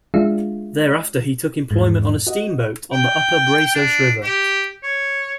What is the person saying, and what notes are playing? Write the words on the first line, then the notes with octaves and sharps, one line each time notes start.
Thereafter he took employment on a steamboat on the upper Brazos River.
G#3 D4 F4 G#4 E5 F5
E2 G#2
F#4 D#5
G5
D4
G4
C#5